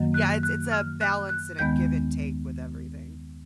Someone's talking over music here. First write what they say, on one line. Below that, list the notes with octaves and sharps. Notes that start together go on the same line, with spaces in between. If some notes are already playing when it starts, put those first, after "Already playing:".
Yeah, it's it's a balance and a give-and-take with everything.
Already playing: F#2 D#3 F#3 A#3
F#6
F#6
F6
F#6
F#6
D#2 D#3 G#3 B3 G6